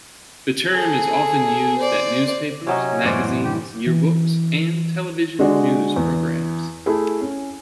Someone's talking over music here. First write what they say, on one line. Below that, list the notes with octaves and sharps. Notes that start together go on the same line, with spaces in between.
The term is often used at newspapers, magazines, yearbooks, and television news programs.
G#4 A4
C5 D5
C3 F#3 C#4 D#4 F#4 C#5
F#2 A2 E3 C5 D5 F#5
G4
E3
D3 G#3 F#4 D5
E2
A3 E4 G#4
C#4